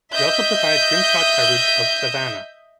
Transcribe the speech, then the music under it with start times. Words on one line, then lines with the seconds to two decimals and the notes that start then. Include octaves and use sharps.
It also provides rimshot coverage of Savannah.
0.12 D#5 E5 G6